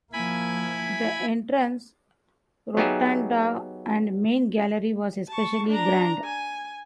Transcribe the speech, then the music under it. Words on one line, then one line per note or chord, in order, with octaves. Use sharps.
The entrance rotunda and main gallery was especially grand.
F3 A#3 E4 G#5 B5
F#3 B3 D#4 G4 G#4 E5
A5 C#6
D4 A#5
G#5